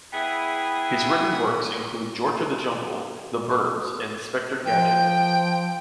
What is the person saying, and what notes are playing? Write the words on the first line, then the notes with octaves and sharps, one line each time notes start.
His written works include "George of the Jungle", "The 'Burbs" and "Inspector Gadget".
B3 E4 G#4 G5 G#5
F3 G5